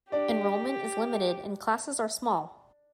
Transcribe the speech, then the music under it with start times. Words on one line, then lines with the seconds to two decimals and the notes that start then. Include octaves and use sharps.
Enrollment is limited and classes are small.
0.12 D4 G4 D5